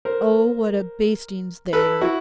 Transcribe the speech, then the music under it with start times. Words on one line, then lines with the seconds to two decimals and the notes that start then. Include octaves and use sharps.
Oh, what a basting's there!'
0.05 A#4 C5
1.73 A4 B4
2.01 E4 F#4